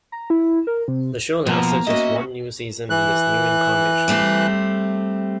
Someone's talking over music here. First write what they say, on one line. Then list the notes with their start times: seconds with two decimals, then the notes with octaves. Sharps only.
The show lasted just one season in this new incarnation.
0.12 A#5
0.30 E4
0.67 A#4
0.88 C3
1.47 B2 F3 A#3 A#5
1.87 A#3 C#4 F#4 D#5 E5
2.90 E3 F#6
4.08 G3 A3 C4